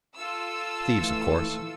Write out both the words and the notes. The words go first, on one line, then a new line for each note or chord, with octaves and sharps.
Thieves, of course.
F4 A4 E6
E3 A3